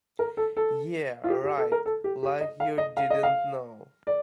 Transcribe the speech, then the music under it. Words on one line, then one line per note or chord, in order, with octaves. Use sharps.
Yeah, right, like you didn't know!
A#4
A4
A4
F4
G4
G4
A4
A#4
A4
G4
G4
D#5
F5
D#5
F5
D#5
F5
D5